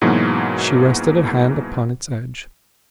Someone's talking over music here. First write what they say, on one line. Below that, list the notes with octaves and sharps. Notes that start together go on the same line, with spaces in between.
She rested a hand upon its edge.
G#2 B2 E3 F#3 A#3